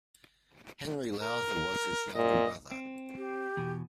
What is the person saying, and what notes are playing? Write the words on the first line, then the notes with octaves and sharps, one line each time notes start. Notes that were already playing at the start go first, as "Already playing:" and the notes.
Henry Lowther was his younger brother.
A#4
A#2 D#5
C4
G4
E2 B2